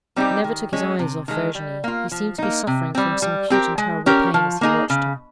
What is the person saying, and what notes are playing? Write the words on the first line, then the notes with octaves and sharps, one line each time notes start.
He never took his eyes off Virginie; he seemed to be suffering from some acute and terrible pain as he watched her.
G3 C4 D#4 G4
D#3
G#3 C#4
C3
D#3 G#3
G3
A#3 F4
F3
A#3 D#4
C3
G3 C4
G3
C4 G4 A#4
G#3
C#4 G4 A#4
F3
A#3 D#4 G#4
C#3